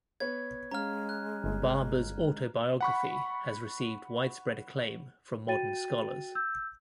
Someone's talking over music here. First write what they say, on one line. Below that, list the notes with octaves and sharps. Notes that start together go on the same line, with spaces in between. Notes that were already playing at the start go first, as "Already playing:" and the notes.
Babur's autobiography has received widespread acclaim from modern scholars.
B3 B4 C#5 G#6
G#3 C#4 F5 A#5 F6
F#6
G1
F#5 B5 C#6
F#4 G5 A6 D#7
E6 G6